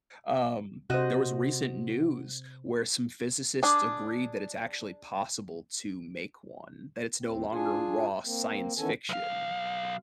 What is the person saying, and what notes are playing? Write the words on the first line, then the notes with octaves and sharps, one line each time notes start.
Um, there was recent news where some physicists agreed that it's actually possible to make one, that it's no longer raw science fiction.
C3 F#4 C5 D#5
D4 G#4
D#2 C4
D4 F4 G#4 G#5
A#3 C4
D#3 E3 B3 C#4 A4 G#5
B1 F5